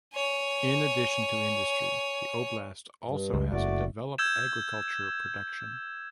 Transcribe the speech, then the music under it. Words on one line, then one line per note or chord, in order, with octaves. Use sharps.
In addition to industry, the oblast also has a developed agriculture production.
C#5 G#5
G2
C#2
F#1 A3 F#4 D5
E6 G6 G#6 E7